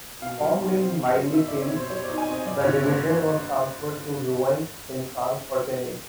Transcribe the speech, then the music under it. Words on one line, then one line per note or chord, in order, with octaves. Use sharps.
Formed in Bielefeld, the division was transferred to Rouen in France for training.
B2 F5
G3
D#4
C4
B2
G3
D#4 E5
C4 D5
C#5
B2 C5
G3 C#5
D5
D#4
G#5
C4 D#5
G2 D5
D3 C#5
C#5
A#3 C5